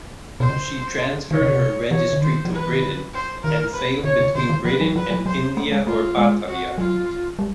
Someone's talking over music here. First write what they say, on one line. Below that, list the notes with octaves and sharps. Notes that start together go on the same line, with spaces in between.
She transferred her registry to Britain and sailed between Britain and India or Batavia.
B2 C5
C#3
D#3 C#5
C#3
C3
E3 C#5
D3
D#3 C5
F3
B4
E3
D#3
D3
C5
D#3 A#4
B4
D3 C#5
C#3
D3 C5
D#3
F3 B4
F#3
F3 B4
F#3
F#3 C5
A3
G#3
A3 F4
G#3
F#4
F#3 F4
G3